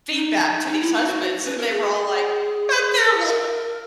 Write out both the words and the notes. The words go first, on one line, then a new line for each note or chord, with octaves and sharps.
feedback to these husbands, and they were all like, "But, they're
D#4
D#4
E4
D#4
F#4
B4
A#4
G#4
G#4
A#4
A#4